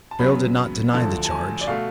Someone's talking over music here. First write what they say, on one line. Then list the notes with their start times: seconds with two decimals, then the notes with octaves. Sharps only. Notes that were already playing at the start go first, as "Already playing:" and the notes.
Beryl did not deny the charge.
0.11 A5
0.19 F#2 C#3 F#3 B3 B5
0.93 D2 D3 F3 A5
1.25 A5
1.30 G#5
1.61 D5
1.67 B2 A3 F5